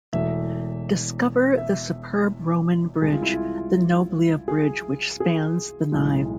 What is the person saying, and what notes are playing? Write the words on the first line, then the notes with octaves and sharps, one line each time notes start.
Discover the superb Roman bridge, the Noblia bridge which spans the Nive.
E1 E2 B2 A3 E5
E5
C2 C3 G#3 G#4
F4
E4
F4
G#4
G#4
B1 A2 E3 G#3